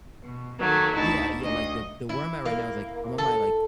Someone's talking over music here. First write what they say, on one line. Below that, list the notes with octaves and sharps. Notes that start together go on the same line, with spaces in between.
Yeah, yeah, like the the where I'm at right now is, like, I'm on my, like,
B2
D#3 F#3 A3 A#3
D2 D#4 E4 A5
D2 D#5
E4
A#3
A4